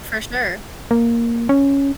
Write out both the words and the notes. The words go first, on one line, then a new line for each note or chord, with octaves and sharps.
For sure.
A#3
C#4